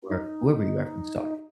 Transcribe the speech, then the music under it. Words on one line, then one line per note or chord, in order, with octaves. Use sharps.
or whoever you referenced, sorry.
D#4